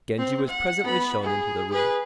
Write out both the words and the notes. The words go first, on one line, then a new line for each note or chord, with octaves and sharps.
Genji was presently shown into the room.
C4
F#5
B3 B5
G#4
G#4 B4